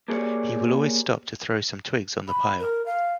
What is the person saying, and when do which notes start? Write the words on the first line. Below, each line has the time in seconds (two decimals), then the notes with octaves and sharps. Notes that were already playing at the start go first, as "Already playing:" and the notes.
He will always stop to throw some twigs on the pile.
0.08 A#3 G4 G#4 C#5 D5
2.28 B5
2.59 A#4
2.86 F5